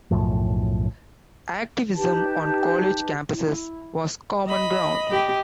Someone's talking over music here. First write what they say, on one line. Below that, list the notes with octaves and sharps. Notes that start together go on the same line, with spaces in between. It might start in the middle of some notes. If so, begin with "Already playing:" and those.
Activism on college campuses was common ground.
B1 F#2 A2 F3
D#4 G4 B4 A5
E4
D#5 B5
G4